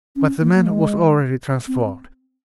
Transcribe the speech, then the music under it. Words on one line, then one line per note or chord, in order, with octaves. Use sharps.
But the man was already transformed.
C#4
A#3
A#3
G#3
C4